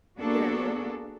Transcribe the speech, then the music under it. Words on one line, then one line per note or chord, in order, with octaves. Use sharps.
you know,
A#3 B3 D4 F#4 G#4 A4